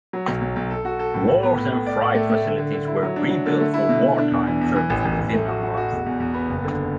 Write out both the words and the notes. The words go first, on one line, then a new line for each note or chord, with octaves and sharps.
Wharves and freight facilities were rebuilt for wartime service within a month.
F#3
B1
B1
B1
A4
F#4
A4
A2
A2
B3
A2
A2
D5
A2
A3
A3
D3
D3
D3
E4
F#3
D4
F#3
D3
A3
E4
B2
B2
D4
E2
E3
E2
E3
A1
A1
A1
A3
F#4
F#4
F#4
E1
E2
E2
B3
F#1
D3